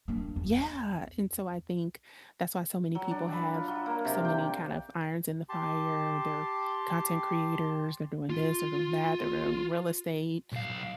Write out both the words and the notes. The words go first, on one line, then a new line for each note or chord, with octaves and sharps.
yeah, and so I think that's why so many people have so many, kind of, irons in the fire, they're content creators, they're doing this, they're doing that, they're in real estate,
A#3 D4
E2
F#3
D4
B5
F4
F#3
A#3
C3
G5
G4 A5 C6
F4
B1 F5